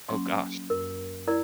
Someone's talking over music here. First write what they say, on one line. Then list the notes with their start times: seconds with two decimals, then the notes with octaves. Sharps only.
Oh, gosh.
0.09 F#3 A#3 C#4 C6
0.70 F#2 A#4
1.27 E4 A#4 D5